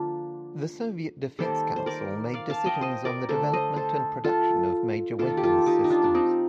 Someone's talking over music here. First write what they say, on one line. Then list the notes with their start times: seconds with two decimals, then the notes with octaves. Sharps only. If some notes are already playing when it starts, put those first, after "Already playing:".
The Soviet Defense Council made decisions on the development and production of major weapons-systems.
Already playing: D3 F3 A#3 D4 F4
1.39 D#3 G3 A#3 A4 C5
1.76 C5
1.86 A#4 D5
2.34 D5 F5
2.50 F5 A5
2.66 D#5 G5
2.81 C5 D#5
3.05 A#4 D5
3.29 D3 A3 A4 C5
3.53 C5 D#5
3.76 A4 C5
4.24 F4 A4
5.19 D#3 A#3 F4 A4
5.37 G4
5.43 F4 A4
5.66 D#4 G4
5.84 D#4
5.90 D4 F4
6.04 D4
6.15 C4 D#4